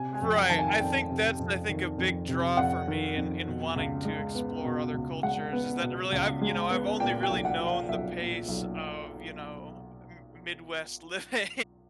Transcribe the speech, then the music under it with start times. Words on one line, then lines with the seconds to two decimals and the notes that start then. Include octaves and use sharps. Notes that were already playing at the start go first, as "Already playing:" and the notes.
Right, I think that's I think a big draw for me in in wanting to explore other cultures is that really I've you know, I've only really known the pace of, you know, M Midwest living
Already playing: C3 G#5
0.14 G#5
0.22 F2
0.36 G5
0.50 D#3 A5
0.59 G#5
0.80 F2 G5
1.10 C3
1.39 F2
1.69 D#3
1.98 F2
2.28 C3
2.57 F2 F#5
2.88 D#3
3.17 F2
3.46 B2
3.76 C#2
4.05 G#3
4.35 B3
4.64 B2
4.94 C#2
5.23 G#3 F#5
5.53 B3
5.82 B2
6.12 C#2
6.42 G#3
6.70 B3
7.00 A#2 G5
7.23 G5
7.30 B1
7.45 F#5
7.59 F3
7.67 F5
7.89 B1 E5
8.18 A#2
8.48 B1